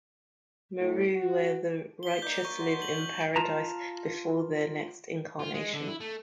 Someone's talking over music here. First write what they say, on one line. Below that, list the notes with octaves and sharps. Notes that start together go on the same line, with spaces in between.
Meru where the righteous live in paradise before their next incarnation.
A2
F#4
B6 G7
A#3 D#4 D5 G6
C#6
F#3 C6
F#7
F4 A5 A#5
F4
G#3
D3
E4
A3